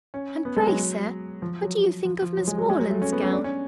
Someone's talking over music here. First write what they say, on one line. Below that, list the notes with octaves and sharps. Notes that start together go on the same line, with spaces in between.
"And pray, sir, what do you think of Miss Morland's gown?"
C#4
B3
G#3
F#3
F3
F#3
F3
F3
F#3
G#3
F#3
G#3
F#3
A3
C#4
B3
C#4
D4
C#4